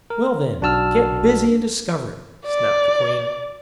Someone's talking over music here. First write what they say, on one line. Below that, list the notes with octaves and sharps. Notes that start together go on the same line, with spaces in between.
"Well, then, get busy and discover it," snapped the Queen.
A#4
B1 D4 F#4 A5 E6 F6
D5